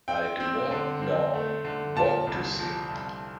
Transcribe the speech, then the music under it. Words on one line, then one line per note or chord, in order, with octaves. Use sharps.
I do not know what to think.
C4 G5
C4
D3
C4
A3
D3
A#2 A5
C2
F3
C2